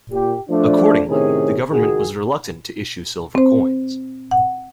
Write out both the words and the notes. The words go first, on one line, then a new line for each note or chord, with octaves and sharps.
Accordingly, the government was reluctant to issue silver coins.
A#2 G4
F3 A3 D4
A2 C3 D#3 C#4 G#4
C#2 D#3 F#4 G#4
C4 C5
F#5